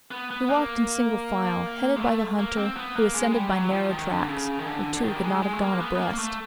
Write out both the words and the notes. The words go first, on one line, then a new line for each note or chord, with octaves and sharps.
We walked in single file, headed by the hunter, who ascended by narrow tracks, where two could not have gone abreast.
B3
B3
A#3
G#3
A3
A#3
C4
B3
A#3
G#3
G3
F#3
F3
D#3
D3
C#3
D#3
D3
D3
D#3
G3
G#3
G#3
A3
A#3
B3
B3
A#3
A#3
A3